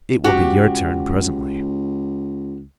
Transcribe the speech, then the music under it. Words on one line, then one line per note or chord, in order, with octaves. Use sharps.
"It will be your turn presently!"
C#2 F#4 G4